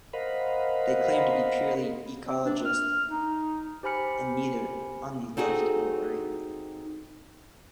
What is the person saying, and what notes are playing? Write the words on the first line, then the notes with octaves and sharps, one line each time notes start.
They claim to be purely ecologist, and neither on the left or right.
A#4 C5 D#5 F5 F#5 B5
C4
D4
F6
D#4
G4 C5 G#5 B5 F6 C#7
C4 D#4 F#4 G#4 A4